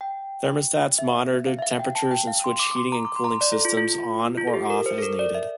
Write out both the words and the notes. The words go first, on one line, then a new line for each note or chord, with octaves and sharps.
Thermostats monitored temperatures and switched heating and cooling systems on or off as needed.
G5
E5
F5
E5
F5
G5
A5
G5
F5
C6
D6
D6
C6
A#5
D6
C6
A#5
C6
D5
A4
F4
F4
F4
A4
G4
A#4
C5
A4
A#4
D5
E5